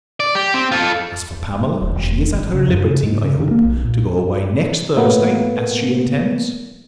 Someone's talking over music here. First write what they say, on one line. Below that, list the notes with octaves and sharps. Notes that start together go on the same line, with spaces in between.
As for Pamela, she is at her liberty, I hope, to go away next Thursday, as she intends?
D5
G4
C4
F4 A4
D#1
E1
G#1
C#3
F#2
C#3
G#2
C#3
D#3
A#3
B1
A#2
A2 A#3 B3